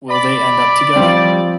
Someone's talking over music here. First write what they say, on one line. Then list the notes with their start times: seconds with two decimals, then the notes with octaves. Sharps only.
Will they end up together?
0.10 D5 B5
0.96 F3 G3 C4